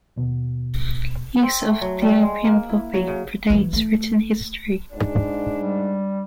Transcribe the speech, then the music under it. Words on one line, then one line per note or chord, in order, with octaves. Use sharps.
Use of the opium poppy predates written history.
D#2 B2
C4
A3
F#3
G3
G#3
A#3
E4
F#3
C#3
E3 F#3
A3
G#2 D4
G3